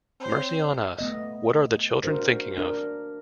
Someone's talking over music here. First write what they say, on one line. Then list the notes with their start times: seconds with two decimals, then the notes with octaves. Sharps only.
Mercy on us, what are the children thinking of?
0.20 C4 C5 C#5
0.99 A3 B3 D#5
2.04 D4 F#4 A#4 C5
2.58 D4 A#4